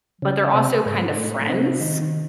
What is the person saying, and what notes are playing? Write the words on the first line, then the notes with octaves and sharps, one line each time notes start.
but they're also kind of friends,
C#3
C3
G#2
A2
A2
C3
D#3
D#3